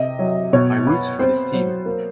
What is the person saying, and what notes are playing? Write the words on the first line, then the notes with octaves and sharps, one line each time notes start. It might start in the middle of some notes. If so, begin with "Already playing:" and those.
I root for this team.
Already playing: C3 D#5
F#3
B2 C#5
B3
C4 C5
F#3
A#3